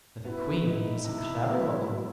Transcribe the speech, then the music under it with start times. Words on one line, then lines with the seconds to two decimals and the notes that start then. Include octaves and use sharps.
But the Queen was a clever woman.
0.25 B3 F#4
0.29 E4
0.66 D#4 E4
1.04 C3 E4
1.44 F#3
1.84 F#3